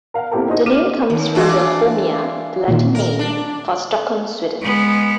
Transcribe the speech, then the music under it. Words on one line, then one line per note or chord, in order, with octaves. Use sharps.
The name comes from the "Holmia", the Latin name for Stockholm, Sweden.
A#4 F5 F#5
A#3 C4 E4 G4 A4 A#4
D#4 F4 F#4 G#4 C5 D#5
D6 F6 D#7 E7
D#2
E3 D4 F4 F#4 E6
A#2 D#3
A#4
D4
G#3 B3